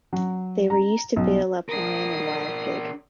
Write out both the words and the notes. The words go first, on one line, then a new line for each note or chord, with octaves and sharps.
They were used to bail up lion and wild pig.
F#3
A#5
B1
D4 A#4 D#6 C7